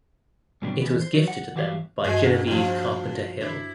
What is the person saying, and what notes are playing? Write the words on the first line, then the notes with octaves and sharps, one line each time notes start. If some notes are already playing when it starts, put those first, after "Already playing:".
It was gifted to them by Genevieve Carpenter Hill.
G#2 B2 F#3 G3 B3 D4
E3 B3
C5
F#3
F#5
E3 F#3 G4 E5 F5
G2 G#3 F#4 G#4
F#2
A#2 F3 C5
D4 E4